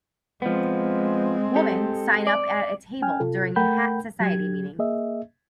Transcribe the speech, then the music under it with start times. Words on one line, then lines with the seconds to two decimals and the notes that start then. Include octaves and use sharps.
Woman sign up at a table during a hat society meeting.
0.42 F3 G#3 B3 C4
1.56 G4 A4
2.27 D5
3.02 C#4 G5 G#5 F6
3.20 C3 F4 A4
3.56 A3 A#4 F#5 G5 B5 G6
4.20 F#3 G4 G#6
4.79 A#3 G#4 D#5 E5